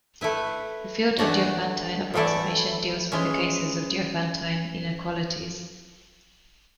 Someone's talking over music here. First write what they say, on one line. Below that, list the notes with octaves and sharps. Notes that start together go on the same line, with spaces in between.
The field of Diophantine approximation deals with the cases of "Diophantine inequalities".
A3 E4 B4
E3 A3 D4 F#4
E3 A3 E4 A4 D5
E3 G#3 C#4